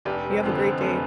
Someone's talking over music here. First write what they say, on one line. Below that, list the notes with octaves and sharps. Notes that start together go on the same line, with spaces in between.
You have a great day.
F1 D4 G4
C4
F2 D3 F3
C4
F1 A3